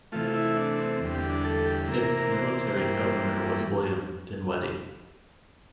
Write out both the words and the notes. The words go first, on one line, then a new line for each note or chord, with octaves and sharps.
Its military governor was William Dinweddie.
C3 E3 A3 F4
F4
E4
D4
C4
E2 D3 G3 C4
G4
D4
A4
G4
C3 E3 A#3
A#4
A#4
C5
D5
C5
C5
G2 E3 G3 A#3